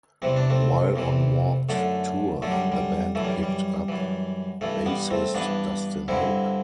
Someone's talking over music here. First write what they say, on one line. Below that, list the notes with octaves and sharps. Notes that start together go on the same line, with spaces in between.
While on Warped Tour, the band picked up bassist Dustin Hook.
E2 C3 E3 C4
D4
A3 C4
E2 C3 E3
F#2 D3 A3
F#2 D3 A3
G3
G3
F#2 E3 A3
G3
G3
F#2 E3
G2 E3 A3
G3 B3
A3 C4
G2 E3 B3 D4
G2 D3 C4 E4